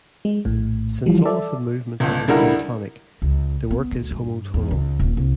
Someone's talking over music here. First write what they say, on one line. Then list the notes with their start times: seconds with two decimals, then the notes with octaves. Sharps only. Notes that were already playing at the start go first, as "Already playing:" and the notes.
Since all of the movements have the same tonic, the work is homotonal.
0.25 G#3
0.45 A#1 A2
1.06 E3 F3 G3
1.25 A4 D5 E5
2.00 G1 C#2
2.28 C#2 D3 G3 E4 A#4 F#5
3.22 C#2
3.71 B3
3.92 D2
4.11 G2
4.54 E2
4.71 C#2
5.00 D#1
5.17 C2